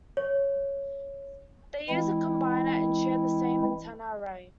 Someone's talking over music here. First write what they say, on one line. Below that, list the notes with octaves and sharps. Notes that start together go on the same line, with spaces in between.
They use a combiner and share the same antenna array.
C#5
E3 G#3 C4 E4